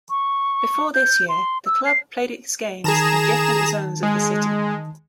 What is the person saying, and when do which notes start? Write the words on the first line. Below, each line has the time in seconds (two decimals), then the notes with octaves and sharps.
Before this year, the club played its games in different zones of the city.
0.10 C#6
0.94 G6
1.29 C6
1.66 E6
1.86 C7
2.84 D#3 G#4 A5 A#5 E7
4.03 G#3